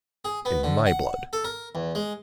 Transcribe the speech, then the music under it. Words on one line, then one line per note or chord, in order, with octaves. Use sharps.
In my blood!
G#4
B3
D3
F#5
A4
A#4
E2
G#3